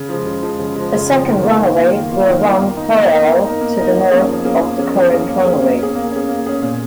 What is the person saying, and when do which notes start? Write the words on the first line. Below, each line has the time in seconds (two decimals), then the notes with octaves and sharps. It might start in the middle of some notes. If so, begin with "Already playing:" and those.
A second runway will run parallel to the north of the current runway.
Already playing: C#3
0.09 F3 G#3
0.26 C#3
0.42 F3 G#3
0.59 C#3
0.76 F3 G#3
0.93 C#3
1.10 F3 G#3
1.26 D#3
1.43 A#3 F4
1.59 D#3
1.77 A#3 F4
1.94 D#3
2.11 A#3 F4
2.28 D#3
2.44 A#3 F4
2.61 A#3
2.77 D#4 A#4
2.94 A#3
3.11 D#4 A#4
3.27 A#3
3.45 D#4 A#4
3.61 A#3
3.77 D#4 A#4
3.94 F3
4.11 A#3 C#4 G#4
4.27 F3
4.44 A#3 C#4 G#4
4.61 F3
4.79 A#3 C#4 G#4
4.95 F3
5.11 A#3 C#4 G#4
5.28 A#3
5.45 C#4 G#4
5.62 A#3
5.79 C#4 G#4
5.95 A#3
6.12 C#4 G#4
6.29 A#3
6.46 C#4 G#4
6.62 A#2